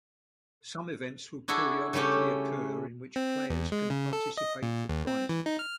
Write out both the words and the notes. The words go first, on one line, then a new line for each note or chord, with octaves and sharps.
Some events will periodically occur in which players can participate for prizes.
D4 E4 F#4 G#4 A4
C#3 G3 A3 C#4 G4
C4
E2
G#3
C#3
A4
D#5
A#2
D#2
C4
E3
D#4
F6